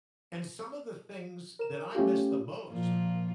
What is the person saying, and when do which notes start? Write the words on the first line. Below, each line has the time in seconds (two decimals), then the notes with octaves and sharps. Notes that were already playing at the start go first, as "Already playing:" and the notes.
and some of the things that I miss the most,
1.59 A#4 E7
1.95 A3 C#4 F4 G4
2.70 A#2 F3 A#3 F4